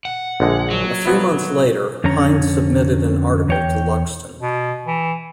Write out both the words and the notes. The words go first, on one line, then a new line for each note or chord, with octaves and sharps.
A few months later Hind submitted an article to Luxton.
F#5
A#1 D3 G#3
F#3
F3 B3 E4
F2 D3 C#4 C#5 A#5
E2 C#5 G5
B2
E3